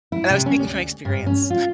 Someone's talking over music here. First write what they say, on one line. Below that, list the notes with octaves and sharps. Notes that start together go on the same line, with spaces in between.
and I was speaking from experience.
E4
C3
C#4
D2
G2
C#4
F4